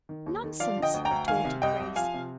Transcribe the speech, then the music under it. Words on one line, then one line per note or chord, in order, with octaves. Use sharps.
"Nonsense," retorted Grace.
D#3
D#2
D#3
F3 D5 F5
D3
D#5 G5
D2
G5 A#5
D2
D#3 F5 G#5
C3
C2 D#5 G5
C2
F3 F5 G#5
C3